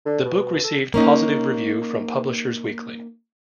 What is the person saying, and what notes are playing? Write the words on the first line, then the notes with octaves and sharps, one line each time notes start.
The book received positive review from Publishers Weekly.
D3
B2
A4
A#3 C#4 D#4